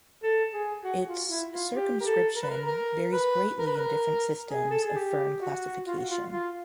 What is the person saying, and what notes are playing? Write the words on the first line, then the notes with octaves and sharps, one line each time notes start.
Its circumscription varies greatly in different systems of fern classification.
A4
G#4
F#4
F4
E4
F4
G4
A#4
A4
A#4
B4
A#4
A#4
B4
A#4
B4
A#4
G#4
A4
G#4
G4
F#4
F4
F#4
F4
F4